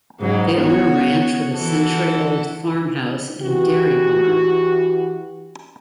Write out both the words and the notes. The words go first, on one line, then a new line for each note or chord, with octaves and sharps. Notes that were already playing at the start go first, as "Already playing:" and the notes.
They own a ranch with a century old farm house and dairy barn.
G#2 C#3 F#3
B3 F#4 C#5
E3 F#4 A4
E3 F#4 G4